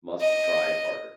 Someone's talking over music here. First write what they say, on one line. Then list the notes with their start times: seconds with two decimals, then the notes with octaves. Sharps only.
Must try harder.
0.20 D#5